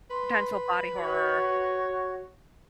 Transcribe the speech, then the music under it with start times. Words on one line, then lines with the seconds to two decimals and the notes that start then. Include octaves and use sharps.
potential body horror.
0.10 B4 C6
0.96 F#4 C#5